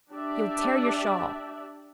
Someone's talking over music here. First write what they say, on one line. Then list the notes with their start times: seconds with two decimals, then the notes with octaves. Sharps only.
"You'll tear your shawl."
0.12 D4 G4 D5 E5